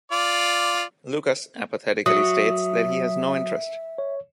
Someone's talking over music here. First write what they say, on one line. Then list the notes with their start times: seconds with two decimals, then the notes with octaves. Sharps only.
Lukas apathetically states that he has no interest.
0.12 F4 D5
2.06 F#3 E5 D#6
3.98 C#5